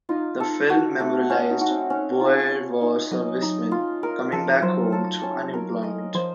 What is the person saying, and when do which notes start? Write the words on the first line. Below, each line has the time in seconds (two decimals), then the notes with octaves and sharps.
The film memorialized Boer War serviceman coming back home to unemployment.
0.09 D#4 F4
0.40 A4
0.70 F#4
1.00 A3
1.30 C#4 F4
1.50 D#4
1.61 F#4
1.70 C4
1.90 C#4
2.20 F4
2.52 C#5
2.81 D#4
3.11 F#3 D#5
3.42 D#4
3.71 F4
4.03 A#4
4.32 F3 A4
4.62 F#3 C5
4.92 F#3 A4
5.23 C#4
5.54 A#4
5.83 D#5
6.14 F3 C5